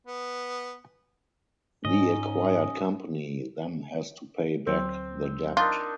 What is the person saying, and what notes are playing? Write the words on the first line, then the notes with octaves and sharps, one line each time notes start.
The acquired company then has to pay back the debt.
B3
G#2 C#4 D#4 D#5
D2 F#3 C4
D4 D#4 F4 A#4